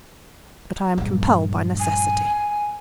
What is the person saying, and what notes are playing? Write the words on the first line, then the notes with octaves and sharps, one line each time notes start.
But I am compelled by necessity.
A#1 G2
G#5